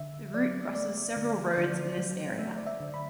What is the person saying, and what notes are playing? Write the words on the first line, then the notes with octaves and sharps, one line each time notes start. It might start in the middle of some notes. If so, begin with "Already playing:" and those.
The route crosses several roads in this area.
Already playing: D3 E5
F#3 D5
A3 D5
D3
C5
D3 D5
F#3
A3 E5
D5
E5
D3
B5